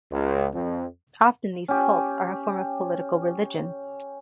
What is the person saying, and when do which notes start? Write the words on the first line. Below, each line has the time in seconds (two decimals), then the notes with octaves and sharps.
Often these cults are a form of political religion.
0.11 C#2
0.53 F2
1.68 C#4 G4